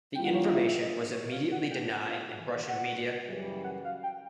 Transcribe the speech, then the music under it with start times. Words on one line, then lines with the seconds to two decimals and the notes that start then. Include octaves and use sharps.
The information was immediately denied in Russian media.
0.15 E3 G3 A#3 D4 F4 G5
0.25 F#5
0.34 C#5
0.44 D#5
0.54 E5
0.66 E5
0.80 D#5
1.12 C#5
1.32 F5
1.51 F#5
1.70 B2 F#3 A3 D4 F4 G5
1.90 F#5
2.09 F5
2.29 F#5
2.68 F#5
3.25 F#2 C#3 E3 G3
3.64 F#5
3.85 F5
4.03 G5